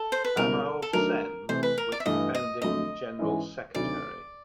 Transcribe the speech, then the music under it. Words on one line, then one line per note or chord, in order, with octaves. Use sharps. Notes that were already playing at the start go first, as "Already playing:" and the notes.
Amal Sen was the founding general secretary.
Already playing: A4
C5
B4
C#2 B2 G3 C4 E4 A#4
A4
D#3 F#3 A3 D4 A#4
C3 E3 A3 C5
B4
A#4
D5
E5
G2 E3 A3 D#5
D#5
F2 D3 F#3 A3 D#5
G#2 E3 G#3 C#4 E4
D2 C3 D#3 F#3 D5